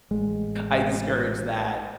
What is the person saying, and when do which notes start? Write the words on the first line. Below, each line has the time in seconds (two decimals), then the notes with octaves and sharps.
I discourage that,
0.11 A1 G#3